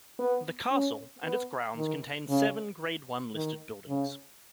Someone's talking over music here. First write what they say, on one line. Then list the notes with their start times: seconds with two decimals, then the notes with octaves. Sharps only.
The Castle and its grounds contain seven Grade One listed buildings.
0.19 B3
0.72 C#4
1.24 B3
1.77 D#3
2.29 C#3
3.35 D#3
3.88 C#3